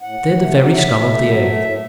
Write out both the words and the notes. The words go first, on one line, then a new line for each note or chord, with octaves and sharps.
They're the very scum of the earth.
A2 F#5
A2
A3
F#3
F#5
A2 E5
A2
A3
F#3
A3
A2